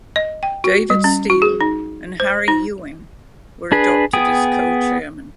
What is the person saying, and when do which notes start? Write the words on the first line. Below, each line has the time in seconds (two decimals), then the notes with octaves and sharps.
David Steel and Harry Ewing were adopted as co-chairmen.
0.16 D#5
0.43 G5
0.64 F#4
0.90 G3
1.04 C#4
1.30 F#4
1.42 G#4
1.61 D#4
2.20 C5
2.48 D#4
3.72 D4 G#4 B4
4.13 B3 G#4 G5 D#6